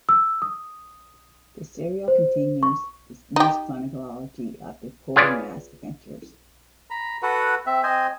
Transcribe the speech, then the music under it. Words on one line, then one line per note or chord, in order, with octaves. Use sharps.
The serial continues the loose chronology of the Quatermass adventures.
E6
D#6
C5
C#6
D#4 G4
F4 G#4 B4 C#5 D5
A#5 B5
F#4 A4 B4 F#5
C4 E5
C4 C5 D#5 G#5